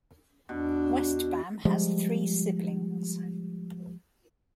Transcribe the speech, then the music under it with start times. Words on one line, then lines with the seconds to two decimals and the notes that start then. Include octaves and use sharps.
Westbam has three siblings.
0.49 E2 B2 D4
1.65 F3 G3 G#3